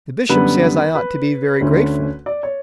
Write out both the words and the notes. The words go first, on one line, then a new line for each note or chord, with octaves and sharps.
The Bishop says I ought to be very grateful.
F#2 D3 G3 B3 B4
B4
D2 D3 A3 C#4
D5
C#5